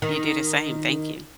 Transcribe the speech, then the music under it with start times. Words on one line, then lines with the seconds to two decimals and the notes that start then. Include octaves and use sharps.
You do the same, thank you.
0.02 D#3